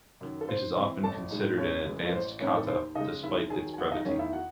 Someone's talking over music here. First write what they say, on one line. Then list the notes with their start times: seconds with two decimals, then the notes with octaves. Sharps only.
It is often considered an advanced kata, despite its brevity.
0.21 F#2 D#3
0.41 A4
0.48 G#2 C5
0.76 E3 C4 E4
1.03 A1 A4 A5
1.31 A2 G#3 D#4
1.58 F#1 C#4 C#5
1.85 F#2 E3 G#3
2.09 A4
2.13 A1 C5
2.41 A2 E3 C4 C#4 D#4 C#5
2.57 A4
2.68 D#2 C5
2.95 C#3 D#4 D#5
3.00 G#3
3.23 D#2 E4 E5
3.50 D#3 F#3 G#4 G#5
3.73 G#5
3.78 F#1 F#4 F#5
3.92 D#4 D#5
4.05 E2 D#3 A3 C#4 D#4 C#5
4.19 E4 E5
4.33 F#4 F#5